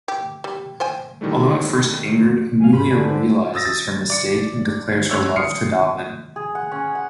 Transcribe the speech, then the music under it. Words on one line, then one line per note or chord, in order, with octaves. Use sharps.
Although at first angered, Amelia realizes her mistake and declares her love to Dobbin.
G4
G3
C5 G5 G#5
A#2 D#3 E3 G3 A3
B2 D3 G3 F4 F#4 F5 G#5
G#2 A#3 F#4 B5 C6
D3 G4 C#5 D5 G#5
B4 C5
D#6 E6 A6 A#6
A6
D5 C#7
G2 C#5 E6
D#6 F6 C7 C#7
G#4
F#5
C#4
F#5